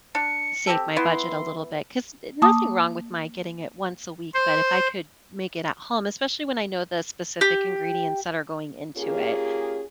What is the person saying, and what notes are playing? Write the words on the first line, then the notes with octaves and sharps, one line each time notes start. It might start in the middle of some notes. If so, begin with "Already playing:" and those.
save my budget a little bit, 'cause nothing wrong with my getting it once a week, but if I could make it at home- especially when I know the specific ingredients that are going into it-
D4 C#7
C4 G4 A4
E3 B3 E4 C6
A#3 A5 D6 D#6
C5
G4
A#3 C#4 F4 G4 G#4